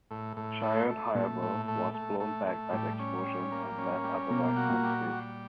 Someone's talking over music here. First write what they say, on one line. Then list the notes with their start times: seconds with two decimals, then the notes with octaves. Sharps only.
Shion, however, was blown back by the explosion and left otherwise unscathed.
0.11 A2
0.37 A2
0.63 A3
0.89 A3
1.15 A#2 A3
1.42 A2
1.68 A3
1.94 A3
2.20 A3
2.47 A3
2.73 A2 G3
2.99 C#4
3.25 G3
3.52 A#3
3.78 C#4
4.04 G3
4.31 B2 A#3
4.56 F#4
4.70 A#2
4.83 G3
5.09 G3